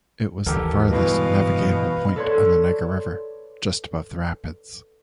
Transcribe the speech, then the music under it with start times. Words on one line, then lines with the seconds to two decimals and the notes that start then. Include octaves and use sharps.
It was the farthest navigable point on the Niger River, just above the rapids.
0.46 D#2 D3 E3 G4 A4 A#4
0.91 G2 B2 E3 G3 G#3 B4 D#5 F5
2.16 A4 B4 C#5 D5 C6 G#6